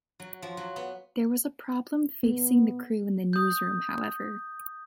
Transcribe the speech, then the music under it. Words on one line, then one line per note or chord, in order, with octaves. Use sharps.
There was a problem facing the crew in the newsroom, however.
F#3
F3
F#3
B3
B3
D#6 G6